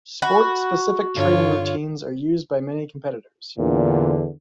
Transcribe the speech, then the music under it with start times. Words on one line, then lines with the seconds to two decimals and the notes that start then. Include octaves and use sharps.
Sport-specific training routines are used by many competitors.
0.22 F#4 B5
1.16 G2 D3 F4 C#5
3.58 E2 A#2 D3